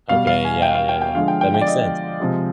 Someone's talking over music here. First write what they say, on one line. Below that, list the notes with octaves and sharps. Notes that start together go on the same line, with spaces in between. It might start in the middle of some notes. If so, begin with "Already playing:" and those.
Okay, yeah, yeah, yeah. That makes sense.
B2 G3 F5
F5
G#5
G5
F5
G5
G5
D3 F3 G#3 F5
G5
G5
G5
D5
D#5
C3 F3 G#3